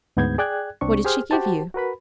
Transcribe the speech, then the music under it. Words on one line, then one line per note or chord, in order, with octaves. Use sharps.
'What did she give you?'
D2 G#2 B3 G6 G#6
G#4 D5 G5 F#6 G#6
C2 C4 D4 C#6
G4 G#4 C5 F6
F#4 G4 C5 A5
F#4 A#4 B4 B5